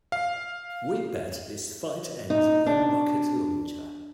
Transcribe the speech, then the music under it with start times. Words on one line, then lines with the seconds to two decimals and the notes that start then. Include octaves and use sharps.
We bet this fight ends with a rocket launcher.
0.12 F5
2.30 D#4
2.66 D4